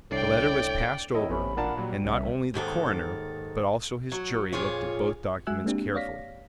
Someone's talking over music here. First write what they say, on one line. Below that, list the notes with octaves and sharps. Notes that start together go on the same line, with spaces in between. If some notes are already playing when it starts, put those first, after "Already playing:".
The letter was passed over and not only the coroner, but also his jury, looked at both documents carefully.
C2 A2 D4 D5 G5 C7
B2 D#3 F#3 E4 A4 D#5
A1 C3 B3 C#4 B5
A#2 D4 A#4 F#5 A5
A#2 F#3 G3
C2 C#4 E5
D#2 G#2 D#3 A4
F#3
F2 A#2 F4 G#4 C#5
G#3 F#4 E5 G#5 E6 F#6
G#3 A#3 C4 D4 G4
C#5 D5 F5 A#6 B6